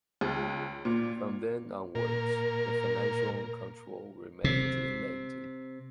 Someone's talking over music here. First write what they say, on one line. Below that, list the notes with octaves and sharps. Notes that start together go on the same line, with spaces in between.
From then onwards, the financial control remained in London.
C#2
A#2
A#2 A#4
C3